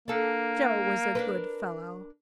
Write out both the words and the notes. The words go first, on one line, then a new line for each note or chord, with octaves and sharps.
Joe was a good fellow.
A#3 D4 A4
D4 A#4 B4